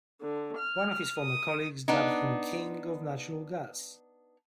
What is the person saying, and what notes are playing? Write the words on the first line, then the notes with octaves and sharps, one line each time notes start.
One of his former colleagues dubbed him king of natural gas.
D3
F6
D#6
B3 D4 D#4